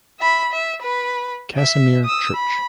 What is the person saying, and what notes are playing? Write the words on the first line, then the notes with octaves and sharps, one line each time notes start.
Casimir Church.
E5 B5
E5
B4 B5
E5
D#6 E6
B5